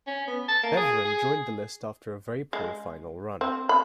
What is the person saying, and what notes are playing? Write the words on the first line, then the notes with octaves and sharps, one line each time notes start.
Beveren joined the list after a very poor final run.
C#4
B3
A5
A#3
G#4
G#4
G#3
C4
B5